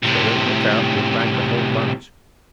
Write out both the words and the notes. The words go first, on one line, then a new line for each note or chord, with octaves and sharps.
If they don't look out we'll bag the whole bunch.
A2 C3